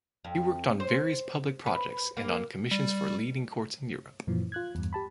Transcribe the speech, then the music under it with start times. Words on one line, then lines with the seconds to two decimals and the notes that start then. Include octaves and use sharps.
He worked on various public projects and on commissions for leading courts in Europe.
0.24 F2
0.80 C5
1.66 B4
2.17 A#3
2.71 G3
4.27 F#2 A#2 E3 F3
4.52 F4 F#6 G#6
4.75 E2 G2
4.93 G4 A5 B5